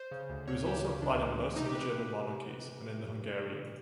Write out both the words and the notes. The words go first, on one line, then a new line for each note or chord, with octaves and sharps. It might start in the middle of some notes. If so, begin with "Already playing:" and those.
It was also applied in most of the German monarchies and in the Hungarian.
Already playing: C5
C#3
D2
D2 C#5
E3 G4
C#3
C#2 D4
C#2
E3
C3 D#4
G4
B4